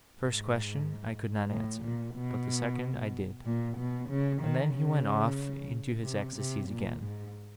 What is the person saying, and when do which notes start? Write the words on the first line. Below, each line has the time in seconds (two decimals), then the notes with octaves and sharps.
The first question I could not answer, but the second I did; and then he went off into his ecstasies again.
0.21 G#2
1.50 A2
1.83 A#2
2.15 B2
3.45 A#2
3.78 B2
4.09 C#3
4.42 D#3
4.74 C#3
6.04 C3
6.36 C3
6.69 A#2
7.02 G#2